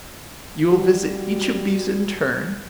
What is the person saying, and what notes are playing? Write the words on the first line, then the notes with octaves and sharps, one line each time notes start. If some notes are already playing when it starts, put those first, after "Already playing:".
"You will visit each of these in turn."
G3 F#4